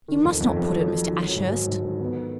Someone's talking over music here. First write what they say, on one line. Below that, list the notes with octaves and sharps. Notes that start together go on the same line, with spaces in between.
You must not put it, Mr. Ashurst.
D#3
F2
F2
F2
F#3
F#3
D#3
F#3
G#2
F#3
G#2
D#3
B3